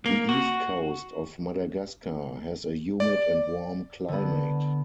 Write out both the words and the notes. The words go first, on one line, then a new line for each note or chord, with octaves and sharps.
The east coast of Madagascar has a humid and warm climate.
A#3
F#4
D5
D3 B3